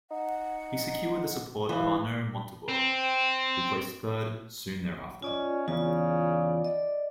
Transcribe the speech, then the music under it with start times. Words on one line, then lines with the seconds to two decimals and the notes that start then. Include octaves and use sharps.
He secured the support of Arnaud Montebourg, who placed third, soon thereafter.
0.11 D#4 F#5
1.69 E3 F5
2.69 C4
5.22 C#4 F4 D5 D#5
5.68 E2 C#3 F4 D5
6.65 D5 D#5